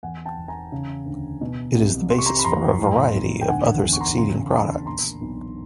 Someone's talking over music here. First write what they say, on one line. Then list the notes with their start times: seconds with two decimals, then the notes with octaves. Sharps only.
It is the basis for a variety of other succeeding products.
0.03 E2 F#5 G#5
0.26 G5 A5
0.38 E1
0.48 G#5 A#5
0.72 C#3
1.06 D2
1.41 B2
1.76 C2
2.10 C3 C6
2.18 C#6
2.26 A#5 C6
2.39 B5
2.44 F2 A#5 C6
2.79 A2
3.13 B1
3.41 G5
3.48 D2 F#5 G#5
3.83 E1
3.93 C#6
4.00 A#5 C6
4.17 C#3 A#5 C6
4.52 D#2 A5 B5
4.86 A#2 A#5 C6
5.21 B1